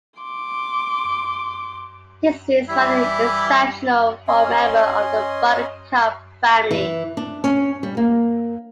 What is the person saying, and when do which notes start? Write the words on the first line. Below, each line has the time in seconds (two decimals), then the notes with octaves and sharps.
This is rather exceptional for a member of the buttercup family.
0.20 C6 D6
2.69 E3 G3 E4
4.28 C#4 D#5 G#5 C6
6.71 E3
7.17 D4
7.44 C#4
7.83 G3
7.97 A#3